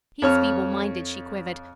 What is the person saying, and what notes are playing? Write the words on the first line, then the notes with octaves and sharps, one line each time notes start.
"He's feeble-minded," she quivered.
F2 C#5 F6